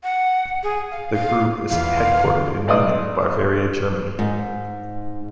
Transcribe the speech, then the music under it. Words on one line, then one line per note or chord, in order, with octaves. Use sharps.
The group is headquartered in Munich, Bavaria, Germany.
F#5
G#4
F5
F5
E2 F4 F5 B5
C6
D3
C6
B1 D5 D#5 D#6
G#2